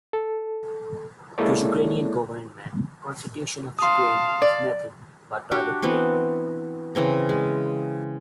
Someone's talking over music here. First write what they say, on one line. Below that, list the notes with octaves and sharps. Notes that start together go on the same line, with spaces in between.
To Ukrainian government, Constitution of Ukraine is nothing but toilet paper.
A4
G#3 A#3 E4 A4 C#5 D5
F5 A5 C6 D#6
D5
D4 F#4 G4 C#5
E3 B3 C4 F#4
C#3 E3 C4 A#5
G#3